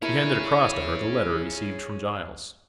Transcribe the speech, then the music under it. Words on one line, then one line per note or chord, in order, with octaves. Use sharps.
He handed across to her the letter received from Giles.
E4 G#4 A#4 C#5